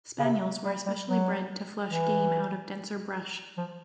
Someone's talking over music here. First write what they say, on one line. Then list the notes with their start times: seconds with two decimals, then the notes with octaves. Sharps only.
Spaniels were especially bred to flush game out of denser brush.
0.19 C#3
0.24 C3
0.65 G3
0.86 G3
1.07 F#3
1.91 E3
3.58 F3